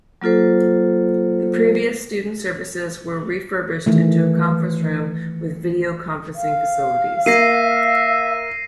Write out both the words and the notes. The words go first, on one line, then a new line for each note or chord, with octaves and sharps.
The previous Student Services were refurbished into a Conference room with video conferencing facilities.
F#3 A#3 F4 A4 C5
D#3 E3 A3
F5
A#3 E5 A#6 C7 D#7